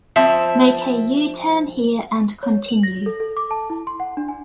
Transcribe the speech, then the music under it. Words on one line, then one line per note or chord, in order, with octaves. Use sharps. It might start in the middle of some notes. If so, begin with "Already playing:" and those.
Make a U-turn here and continue.
F3 C4 E5
C#5
F#7
A#6
A4
A4
D6
A5
E4
C6
F#5
D4
G#5